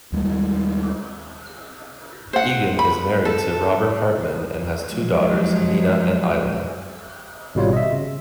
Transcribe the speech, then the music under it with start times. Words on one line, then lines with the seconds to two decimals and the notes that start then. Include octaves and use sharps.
Egan is married to Robert Hartmann and has two daughters, Nina and Isla.
0.12 D#2 G3 G#3
2.33 C5 F#5
2.79 B5
3.25 A4
4.90 F3 F#3 G#3
7.55 G#1 B2 G3 F4 C#5
7.73 D#5 E5
7.92 C#3